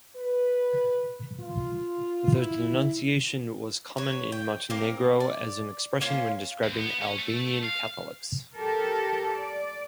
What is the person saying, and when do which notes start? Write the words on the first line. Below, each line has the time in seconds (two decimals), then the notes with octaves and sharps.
The denunciation was common in Montenegro as an expression when describing Albanian Catholics.
0.15 B4
1.40 F4
2.34 E4
3.97 B4 C#5
4.32 G5
4.70 A#3 C4 A#4
5.20 D5
6.01 A#3 C#4 F4 C5
6.63 D#2
6.78 B3
7.01 C#4
7.18 A3
7.64 F5
8.54 G4 A4 A#4
9.33 D5